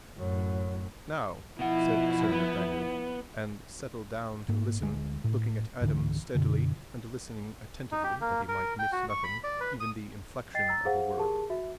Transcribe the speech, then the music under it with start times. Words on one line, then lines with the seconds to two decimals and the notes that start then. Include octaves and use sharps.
"Now!" said Sir Nathaniel, and settled down to listen, looking at Adam steadily and listening attentively that he might miss nothing--even the inflection of a word.
0.17 F#2 A2
1.59 B2 F3 E4 F#5
2.32 B3
4.48 G#2 A#3
4.81 D2 G#3
5.24 A2
5.81 C#2 G#2 D3 E3
6.35 F#2 B2 D3
7.92 D#4
8.04 G4
8.21 A#3
8.48 A#4
8.79 G5
8.92 F#4
9.09 C#6
9.24 B5
9.44 D5
9.61 B4
9.80 D#6
10.54 D#5 G5 A6 C7
10.68 A#5 E6 A6
10.85 G#4 C5 F5 F#5
11.17 G4 G#4 A#4 A5
11.50 F#4 E5